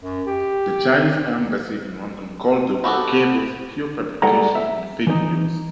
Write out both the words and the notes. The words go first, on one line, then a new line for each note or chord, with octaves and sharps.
The Chinese embassy in London called the cables "pure fabrication" and "fake news".
F#2
G4
B3 F#4 G4 A4
G3 G#3 A4 F#5 A#5
E5
E3 D#4